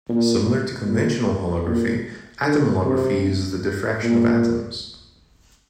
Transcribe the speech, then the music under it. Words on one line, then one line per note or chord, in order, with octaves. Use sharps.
Similar to conventional holography, atom holography uses the diffraction of atoms.
A#2
A#2
A#2
D3
C3
A#2